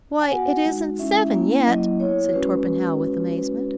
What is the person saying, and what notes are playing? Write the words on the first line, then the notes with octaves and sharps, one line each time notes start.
'Why, it isn't seven yet!' said Torpenhow, with amazement.
G#5
B3 F#4 F#5
G#3 D#4 F#4
G#3 C#4 E4 E5
A#3 C#4 E4
F#3 A#3 E4 D#5
B3 E4 C#5
G#3 C#4 F#4 B4